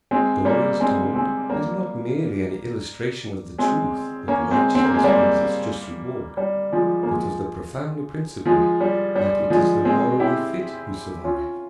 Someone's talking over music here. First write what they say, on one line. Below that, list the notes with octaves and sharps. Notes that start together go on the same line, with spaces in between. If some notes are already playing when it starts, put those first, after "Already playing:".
The story as told is not merely an illustration of the truth that righteousness brings its just reward, but of the profounder principle that it is the morally fit who survive.
G#3 C4
G3 A#3
G#3 C4
G#3 C4
G3 A#3
G#3 C4
A#3 C#4
G#3 C4
C4
A#3
G#3
G3 A#3
G3
F3 G#3
A#3
F3 G#3
F3 G#3
G3
G3
F3 G#3
G#3 C4
E4 G4
C#4 F4